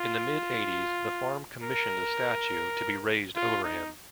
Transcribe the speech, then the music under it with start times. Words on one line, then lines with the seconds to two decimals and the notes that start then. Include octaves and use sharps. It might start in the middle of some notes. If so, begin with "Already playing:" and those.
In the mid-eighties, the farm commissioned a statue to be raised over him.
Already playing: F4
1.62 A#4
3.35 F4
3.64 D#4